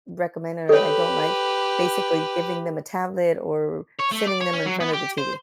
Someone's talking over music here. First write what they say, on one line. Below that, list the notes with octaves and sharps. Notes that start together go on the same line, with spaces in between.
recommend or I don't like basically giving them a tablet or sitting them in front of the TV.
G4 A4 B4 C#5
C#5
A3
D5
C#5
C#4
F#3
B3
G4
C5